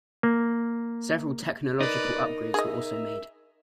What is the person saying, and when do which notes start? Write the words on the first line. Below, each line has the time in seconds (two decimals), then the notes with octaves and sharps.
Several technological upgrades were also made.
0.23 A#3
1.81 D#4 A#4 B4 D5
2.54 G#4 D#5 E5